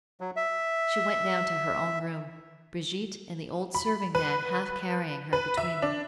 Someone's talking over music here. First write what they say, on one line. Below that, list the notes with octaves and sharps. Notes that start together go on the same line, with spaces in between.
She went down to her own room, Brigitte and the old serving-man half carrying her between them.
F#3
E5
B5
B4
B4
E5
D4